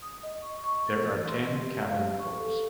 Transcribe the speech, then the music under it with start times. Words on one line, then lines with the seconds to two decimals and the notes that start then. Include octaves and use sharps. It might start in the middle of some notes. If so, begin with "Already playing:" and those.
There are ten cabin ports.
0.02 D#6
0.23 D#5
0.42 C#6
0.64 C#6
0.88 A6
1.04 E3
1.28 C6
1.61 G4
1.87 F5
2.19 C#6
2.36 A4